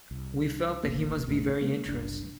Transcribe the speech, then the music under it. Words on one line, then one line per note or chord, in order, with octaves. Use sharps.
We felt that he must be very interesting.
C2
E1 A1 F2 A#3
A1 E2 G#2 A3
G#3 A#3
F#1 C2 D4